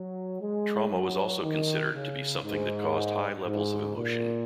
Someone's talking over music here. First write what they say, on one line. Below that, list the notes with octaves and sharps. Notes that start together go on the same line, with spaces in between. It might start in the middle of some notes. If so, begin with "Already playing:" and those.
Trauma was also considered to be something that caused high levels of emotion.
Already playing: F#3
G#3
F#3
D#3
C#3
G#2
G#2
A#2